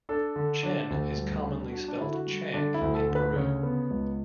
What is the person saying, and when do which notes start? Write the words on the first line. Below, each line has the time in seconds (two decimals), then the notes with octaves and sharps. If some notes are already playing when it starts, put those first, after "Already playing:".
Chen is commonly spelled Chang in Peru.
0.09 D4 A4
0.36 D3
0.63 D4
0.90 D2
1.17 G3
1.45 D4
1.72 D4 F#4
1.88 D4
2.00 D3 E4
2.13 F#4
2.27 G3
2.54 D3 D4
2.74 E4
2.81 D2
2.95 A4
3.08 D3
3.15 B4
3.36 C#3 C#5
3.63 B3
3.91 C#2